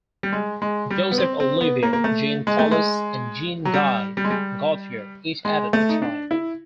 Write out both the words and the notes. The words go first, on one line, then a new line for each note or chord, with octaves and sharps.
Joseph Olivier, Jean Collas, and Jean-Guy Gauthier each added a try.
G3
G#3
G#3
G3
B3
C4
C4
B3
A#3
A#3
A3
G#3
A3
G#3
F#3
G3
G3
G#3
G3
G#3
A3
D#4
D4
E4